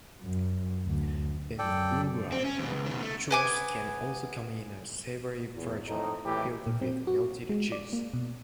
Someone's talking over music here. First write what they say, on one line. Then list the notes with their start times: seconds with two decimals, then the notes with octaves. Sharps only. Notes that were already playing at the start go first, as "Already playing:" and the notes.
In Uruguay, churros can also come in a savoury version, filled with melted cheese.
0.22 F#2
0.86 D2
1.59 F#2 A4 D5 G5
2.32 C4
2.45 C#4
2.59 D#2 B2
2.71 C#2
2.86 B2 D#3
3.01 A3
3.31 B3 G#5 D6
5.54 E2
5.88 F2 A2 D#4
6.25 G#1 A2 E3 G4
6.67 A#2
6.82 C4
7.07 F#4
7.49 G#3
7.72 D5
7.93 A#3
8.14 B2